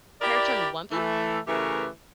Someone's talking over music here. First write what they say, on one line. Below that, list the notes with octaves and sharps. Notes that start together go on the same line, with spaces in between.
character in One Pi
E4 G4 A#4 D5
E3 A3
C#3 E3 A3 G4 A#4 B4